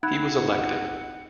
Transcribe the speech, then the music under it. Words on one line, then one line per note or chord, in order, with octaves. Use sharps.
He was elected.
C#2 C4 D#4 F#5 B5 F#6 G#6